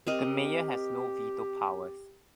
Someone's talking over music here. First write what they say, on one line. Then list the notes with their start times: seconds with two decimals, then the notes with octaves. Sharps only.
The mayor has no veto powers.
0.07 C4 G4 A#4 D#5